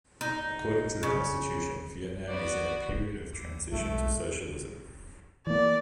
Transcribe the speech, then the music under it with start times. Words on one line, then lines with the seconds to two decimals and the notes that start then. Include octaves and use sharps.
According to the Constitution, Vietnam is in a period of transition to socialism.
0.21 D#4
1.03 C#3
2.28 B3 F#4 D5
3.33 D#2
3.71 B1 G2 G#3 A3
5.47 E3 A#3 D5